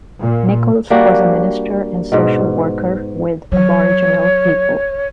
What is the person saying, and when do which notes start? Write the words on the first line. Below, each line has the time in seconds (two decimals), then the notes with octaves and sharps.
Nicholls was a minister and social worker with Aboriginal people.
0.22 A#2
0.90 G3 A#3 D4 F#4
2.12 G#2 B2
3.52 F#3 C#5